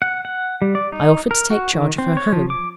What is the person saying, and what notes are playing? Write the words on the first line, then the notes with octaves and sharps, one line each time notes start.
I offered to take charge of her home.
F#5
F#5
G3
D5
D#4
A#4
F#4
D#3
C4
C#5
F3
D6